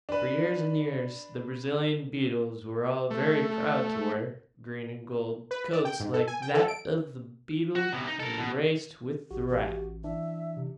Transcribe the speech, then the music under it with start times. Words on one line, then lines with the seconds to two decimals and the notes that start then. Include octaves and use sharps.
For years and years the Brazilian beetles were all very proud to wear green and gold coats like that of the beetle who raced with the rat.
0.09 D4 B4
3.10 A3
5.51 B4
5.73 D5
5.85 G5
6.00 G#2
6.14 A4
6.27 G#5
6.42 G5
6.54 A4
6.68 D7
7.76 F#4
7.93 C3 B3
8.07 D#4
8.20 A4 A#4
8.38 B2
9.31 A#1 F#4 G4
9.48 A1 G4
10.04 E3 D4 E5
10.57 C3